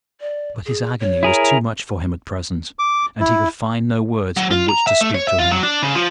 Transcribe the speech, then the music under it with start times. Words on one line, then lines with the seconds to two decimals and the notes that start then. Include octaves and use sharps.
But his agony was too much for him at present, and he could find no words in which to speak to her.
0.21 D5
0.66 G#4
1.01 C#5
1.23 E4 G#4 A#4
2.79 D6
3.20 E4
4.37 F#3
4.51 F4
4.69 A#5
4.87 E5
5.01 A3
5.15 C#5
5.27 E5
5.39 F4
5.51 F#3
5.63 D4
5.83 C#3
5.95 F3